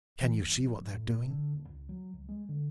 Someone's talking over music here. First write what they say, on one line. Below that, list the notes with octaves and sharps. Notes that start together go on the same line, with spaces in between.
"Can you see what they are doing?"
E3
F#1
A#1
A2
A#2
D3
D#1
C#2
F#3
C#2
G#3
D3